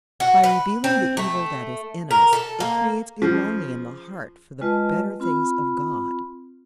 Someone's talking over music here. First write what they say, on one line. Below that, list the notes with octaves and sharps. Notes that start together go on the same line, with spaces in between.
By revealing the evil that is in us it creates a longing in the heart for the better things of God.
F#4
B4
C4
A3
A#4
A4
A#3
C#3 F3
G#3 F4 B4 D#5 A5
C4 F4 B5